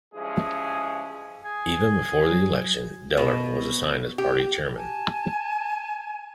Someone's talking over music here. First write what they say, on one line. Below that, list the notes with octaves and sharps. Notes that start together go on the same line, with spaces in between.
Even before the election Dehler was assigned as party chairman.
G2 F3 G#3 C#4 E4 G#4
G#4
F#3
B2
G4
G#5 A5